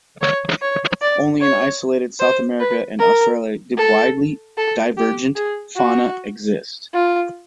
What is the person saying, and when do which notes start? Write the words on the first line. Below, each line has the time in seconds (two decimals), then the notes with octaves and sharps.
Only in isolated South America and Australia did widely divergent fauna exist.
0.22 C#5
0.62 C#5
1.02 D5
1.40 C#5
2.20 C5
2.60 B4
2.99 A#4
3.78 A4
4.58 A4
4.97 G4
5.36 G#4
5.76 F#4
6.94 F4